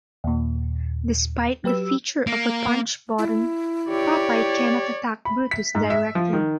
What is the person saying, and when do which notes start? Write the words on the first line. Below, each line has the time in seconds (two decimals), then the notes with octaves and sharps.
Despite the feature of a punch button, Popeye cannot attack Brutus directly.
0.24 D#2 A#2
1.64 F#3 G4 B4 E6
2.27 A#3
3.18 E4
3.90 G4 C#5 D5
5.25 B5
5.51 B6
5.75 G#2
5.90 E5
6.15 F3
6.33 D#3